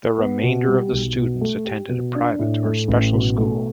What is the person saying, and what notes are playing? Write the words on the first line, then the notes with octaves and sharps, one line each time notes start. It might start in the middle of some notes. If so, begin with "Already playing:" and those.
The remainder of the students attend a private or special school.
B3
B2
G3
B1
B2
A3
G4
B2
D4
A2
A3
A1
B2
A3